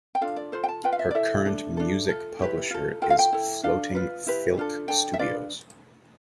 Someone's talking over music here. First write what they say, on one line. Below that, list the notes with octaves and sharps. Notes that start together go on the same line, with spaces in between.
Her current music publisher is Floating Filk Studios.
G5
D4 F4 A4 F5
D5
F4 A4 C5
G5
A5
F4 B4 G5
F5
E5
D5
E4 A4 E5
D4 A4
D4 A4
F4 A4
E4 G4 B4
F4 A4
F4 A4 G5
F5
G5
E4 A4
D4 A4 F5
F4 B4
E4 G4 B4
D4 F4 A4
D4 A4 G5
E5
D4 F4 B4 D5